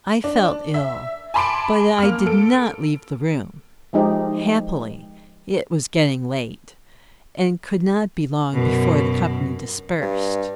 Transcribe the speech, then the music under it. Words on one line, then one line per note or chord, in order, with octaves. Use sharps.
I felt ill; but I did not leave the room: happily, it was getting late, and could not be long before the company dispersed.
D4
E5
G#5 A5 B5 C6 D6 D7
A#3 F6
A4 D7
F3 G#3 D#4 G4 C5
F#2 B2
G2